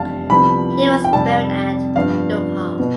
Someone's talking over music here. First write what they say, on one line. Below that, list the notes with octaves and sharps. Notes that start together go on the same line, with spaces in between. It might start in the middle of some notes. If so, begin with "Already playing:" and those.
He was buried at Youghal.
Already playing: F1 E2 C3 G3 D4 F5 A5
C2 C3 F3 B3 B5
G5
F2 C3 G3 A5
G2 F3 B3 D4 F5
B2 B3